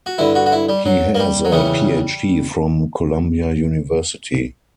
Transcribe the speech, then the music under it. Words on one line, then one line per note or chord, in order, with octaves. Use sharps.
He has a PhD from Columbia University.
F#4
G2 D3 E4
F#4
F#4
E4
G3
F#3
A#3
G3
F#3
E2 C#3 E3 G3